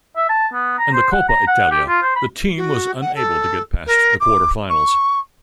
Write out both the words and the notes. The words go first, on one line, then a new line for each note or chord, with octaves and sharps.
In the Coppa Italia, the team was unable to get past the quarter finals.
E5
A5
B3
A#5
C5
F#5
A#5
F#5
G4
F4
C5
B5
F#4
F#5
A4
A#4
D6
C#6